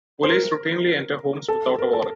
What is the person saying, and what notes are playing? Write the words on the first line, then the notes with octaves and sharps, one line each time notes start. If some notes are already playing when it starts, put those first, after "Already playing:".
Police routinely enter homes without a warrant.
C5
A#4
A4
A#4
A4